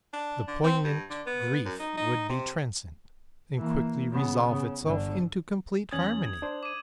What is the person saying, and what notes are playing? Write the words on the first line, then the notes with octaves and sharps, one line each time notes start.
The poignant grief would be transient and quickly resolve itself into complete harmony.
D4
D3
C4
G2
D3
B3
F#2
D#4
D#4
C3
E3 A#3
C#3 B3
C#3
G1 D3
E2 C#4 D#6 G#6 A6 F#7
D4 C5
D6 D#7